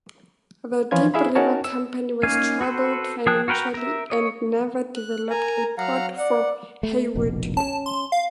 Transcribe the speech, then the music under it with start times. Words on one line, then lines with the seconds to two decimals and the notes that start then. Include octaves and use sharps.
The Deep River Company was troubled financially and never developed a port for Haywood.
0.91 E3 F3 C#4 F4 B4 G#6
1.14 E4 G#4 E5 F5 B5
1.35 C#4 D#4 F#4 A#4 C#5 A5
1.64 E6
2.23 A#3 C#4 D#4 F5 G#5
2.61 F#4 A4 B4 C5
3.26 F3 G#4 G5 A5 F#6
3.48 F#4 A#4 B4 G5 A#5
3.74 A#4 E5
4.10 C#5 D#5
4.96 F#6
5.30 A#4 G#5 A#5
5.78 F#3 F5 F#5 A#5
6.17 D5 F#5
6.83 A3
7.15 F1 A#1 B2
7.57 C#4 A5
7.86 C6
8.12 F5